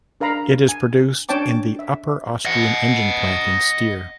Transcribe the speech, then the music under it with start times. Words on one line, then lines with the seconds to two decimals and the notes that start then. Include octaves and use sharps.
It is produced in the upper Austrian engine plant in Steyr.
0.20 D4 A#4 F5 A#5 B5
0.69 G#5
1.29 C#4 D4 C#5 G5 A5 D6
1.79 E5
2.45 D#5 F#5